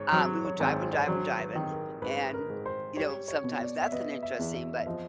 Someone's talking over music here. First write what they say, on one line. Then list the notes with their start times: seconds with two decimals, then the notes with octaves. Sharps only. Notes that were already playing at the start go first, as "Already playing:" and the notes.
um, we were driving, driving, driving, and, you know, sometimes that's an interesting, but
Already playing: G#2 C#5
0.12 F#3 C5
0.45 C#5
0.60 G#1
0.76 C5
0.92 D5
1.00 C#5
1.08 F#3 C5
1.39 B4
1.55 D#3
1.71 A#4
2.02 G#2 B4
2.33 A#4
2.49 G#2
2.66 C5
2.96 G3 C#5
3.28 C#5
3.44 B2
3.59 D5
3.81 E5
3.92 B3 D#5
4.23 E5
4.39 E2
4.54 E5
4.77 E5
4.86 F3 D#5